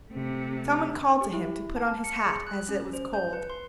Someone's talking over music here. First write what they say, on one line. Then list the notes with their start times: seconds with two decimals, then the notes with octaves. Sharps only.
Some one called to him to put on his hat as it was cold.
0.11 C3 A3
1.21 G4
1.33 E4
1.76 A5
2.04 C#7
2.26 G#4
2.47 F#6
2.69 C#4
2.93 C5
3.13 G6
3.33 B4
3.50 C6